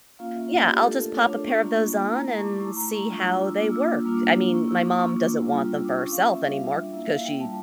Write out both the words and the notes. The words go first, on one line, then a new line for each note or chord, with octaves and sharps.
yeah, I'll just pop a pair of those on and see how they work. I mean, my mom doesn't want them for herself anymore, 'cause she
A#3 C#4 F4 F5
E5
D5
A3 D4 F4 G4
A4
A#4
A3 D4 F4 C#5
D5
C#6
A#3 D4 F4
A3 E4 A#5
A5
C#6
D6
A3 E4 A#5
A#5
C#6
G3 D4 F4
E6
A#3 D4 F4 D6
E6
D6
G3 A#3 D4 F4
A#3 E4 C#6
E6
C#6
D6
A#3 D4 F4
G3 D4 F4
E6
D6
A#3 C#4 F4 C#6
F5
E5
G3 D4 F4 F5
E5
A#3 E4 E5
E5
F5
G5
G3 D4 F4 A5